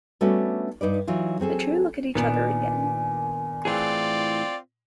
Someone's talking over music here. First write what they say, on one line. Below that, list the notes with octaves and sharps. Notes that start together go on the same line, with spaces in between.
The two look at each other again.
G3 A3 B3 C#4 D4 F#4
G2 D#4 B4 D5
E3 F#3 D#4 F4
F#3 C4 G#4 A4
A#2 D#3 B3 D4 G#5
A2 E3 C4 F4 G#4 D5